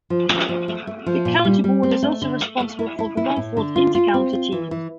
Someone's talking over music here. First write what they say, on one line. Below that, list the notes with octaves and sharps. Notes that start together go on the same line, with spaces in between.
The county board is also responsible for the Longford inter-county teams.
F3
F3
F3
A3
A3
F3
A#2
G3
G3
C4
A3
D3
A3
A3
E4
E4
E4
A2
D3
F4
F4
C4
F4
E3
E3